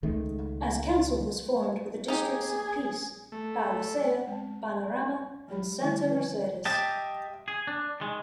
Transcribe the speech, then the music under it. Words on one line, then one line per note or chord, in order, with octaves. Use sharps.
As council was formed with the districts of peace Pauliceia, Panorama and Santa Mercedes.
C#2 D#3 G#3 A3
D#4 G4 G#4
A3
G#3 C4 A5
F#3 G#3 G4 B5
D3 D#3 F3 G3 A3 E4
B4
G4 D#5 E5 G5 A5
G#4
D4
D#3 G#3